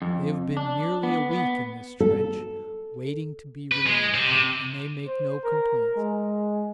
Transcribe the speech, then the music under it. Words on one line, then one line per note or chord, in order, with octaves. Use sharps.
They have been nearly a week in this trench, waiting to be relieved, and they make no complaints.
F2
D4
B3
B3
A4
B4
G#3
C4 G4
C3
C5
A#4
G#3